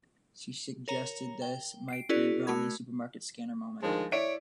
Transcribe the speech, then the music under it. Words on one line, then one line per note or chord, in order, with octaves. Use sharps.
She suggested this might be Romney's supermarket scanner moment.
A#4 C#5 A#5
G5
C7 D7
C#4 E4 F#4 G#4 A#4 D5
A3 F#4 A#4 B5 G#6
D2 D#3 F3 G#3
E4 C#5 D5 D7